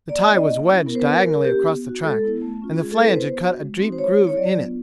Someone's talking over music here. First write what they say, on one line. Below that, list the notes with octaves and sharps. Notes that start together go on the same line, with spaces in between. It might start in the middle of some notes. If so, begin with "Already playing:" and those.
The tie was wedged diagonally across the track, and the flange had cut a deep groove in it.
A#3 D5
D#5
C#4 E4 D5
D#5
A#3
C#4 E4
B3 A#4
C5
B4
D4 F#4
A#4
G3 A#4
A#3 C#4 G4
B3
D#4 F#4
G#3 A4
B3 E4
A3
C#4 F4
G#3 G#4
A4
C4 E4 B4
C5
B3
D4 F#4
G#3
C4 D#4 F#4
C5
G#3 C#5
C4 E4
C#5
F#3 D5
B3 D4 F4